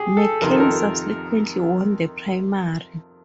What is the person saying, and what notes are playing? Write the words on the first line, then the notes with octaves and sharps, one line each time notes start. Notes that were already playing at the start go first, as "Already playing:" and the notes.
McCain subsequently won the primary.
Already playing: G4 G#4
A4
F2 C3 D#3 A#4
A4
A#4